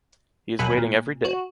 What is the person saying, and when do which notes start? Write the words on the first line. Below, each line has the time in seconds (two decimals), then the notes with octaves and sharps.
He is waiting every day.
0.59 A#1 D#2 B2 F#3 G#5 B5
0.77 A#2
1.25 F#4